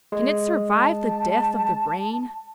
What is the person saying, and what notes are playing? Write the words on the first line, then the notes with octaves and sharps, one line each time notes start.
Can it survive the death of the brain?
G#3
A5